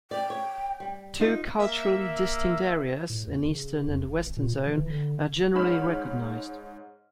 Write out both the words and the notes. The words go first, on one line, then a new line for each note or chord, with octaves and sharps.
Two culturally distinct areas, an eastern and a western zone are generally recognised.
D5 G5
C#5
G3
D#4 F4 D#5
A#3 E5
A2
E2
C#3
F2
E1
G#1
A#2
B2
E3
D3
G#2 C#5 B5 F6 E7